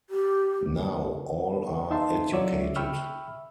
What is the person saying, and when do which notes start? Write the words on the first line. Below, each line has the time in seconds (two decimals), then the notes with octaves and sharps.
Now all are educated.
0.10 G4
1.91 D#4 E5 F5 A5 C6
2.33 F#3 C#5 D5 E5 E6
2.76 E5 G5 B5 C#6 E6 F6